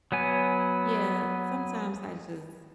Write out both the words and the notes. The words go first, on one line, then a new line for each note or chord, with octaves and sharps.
Yeah, sometimes I just
F#3 B3 G#5